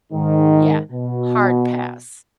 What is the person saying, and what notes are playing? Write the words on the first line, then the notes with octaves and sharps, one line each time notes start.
Yeah, hard pass.
G#2 D#3
B2